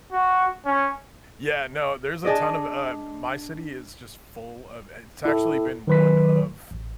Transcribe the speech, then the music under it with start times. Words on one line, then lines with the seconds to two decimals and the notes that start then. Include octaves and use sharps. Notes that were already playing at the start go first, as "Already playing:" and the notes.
Yeah. No. There's a ton of, uh my city is just full of it's actually been one of
0.12 F#4
0.66 C#4
2.25 D4 G#4 D5 D#5
5.25 E4 A4
5.87 D#3 F#3 B4 C6 B6
6.71 A1